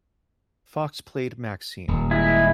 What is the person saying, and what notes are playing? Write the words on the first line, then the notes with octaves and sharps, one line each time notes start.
Fox played Maxine.
D#1
G#3 E4